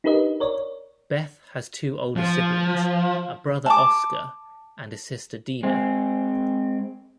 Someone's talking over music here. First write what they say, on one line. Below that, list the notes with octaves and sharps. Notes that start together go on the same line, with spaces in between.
Beth has two older siblings, a brother Oscar and a sister Dinah.
D4 D#4 G4 A#4 B4 D#5
A#4 C#5 D5
F3
A5 D6
G#3 C4